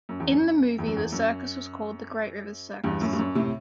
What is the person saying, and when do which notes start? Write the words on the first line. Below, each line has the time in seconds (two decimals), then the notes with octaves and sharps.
In the movie the circus was called the Great Rivers Circus.
0.09 F#2
0.20 E2
0.31 F#2
0.79 E2
0.87 F#2
0.97 E2
1.12 F#2
2.84 E2 G2
3.01 F#2 A2
3.13 G2
3.19 F#2
3.35 A2 C3